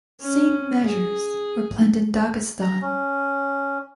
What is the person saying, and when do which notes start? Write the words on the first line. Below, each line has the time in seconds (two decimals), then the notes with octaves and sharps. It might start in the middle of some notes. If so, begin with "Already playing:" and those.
Same measures were planned in Dagestan.
0.20 C#4
0.85 G#4
2.62 A#5
2.82 C#4